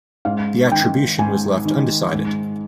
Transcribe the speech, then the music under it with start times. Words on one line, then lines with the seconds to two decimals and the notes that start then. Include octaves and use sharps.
The attribution was left undecided.
0.25 G#2 F5
0.72 D#3 G5
1.19 G#2 G#5
1.65 D#3
2.12 G#2